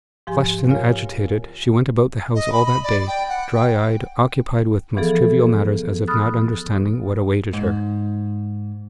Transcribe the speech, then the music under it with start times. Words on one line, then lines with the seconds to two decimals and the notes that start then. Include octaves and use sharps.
Flushed and agitated she went about the house all that day, dry-eyed, occupied with most trivial matters as if not understanding what awaited her.
0.27 G#2 F3 G4 G#5 C6
0.69 F4 A#4 C#5 F5 G#5
2.35 D#5
2.52 B5
2.66 B5
2.83 D5
3.07 G5
3.29 F#5
3.54 G5
4.97 E3 F3 B3 G#4 A4
6.07 B5 D#6 F6 F#6 A6
7.53 G#2